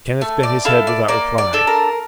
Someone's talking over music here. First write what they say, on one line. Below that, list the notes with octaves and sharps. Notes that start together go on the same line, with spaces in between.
Kenneth bent his head without replying.
A3
D5
E4 A4 F5
D5
A#3 D5
D5
D4 A4
A#4